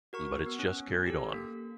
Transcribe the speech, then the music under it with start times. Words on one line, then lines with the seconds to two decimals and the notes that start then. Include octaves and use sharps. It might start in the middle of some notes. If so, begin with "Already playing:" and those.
But it's just carried on.
0.13 F#4 A#4 C#6
0.46 B3
0.59 C#4
1.06 G4 A4
1.33 A#3